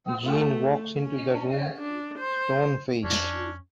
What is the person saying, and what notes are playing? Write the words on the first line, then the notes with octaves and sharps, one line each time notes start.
Jean walks into the room, stone-faced.
A3
C#4
D4
C5
F2 C#4 D4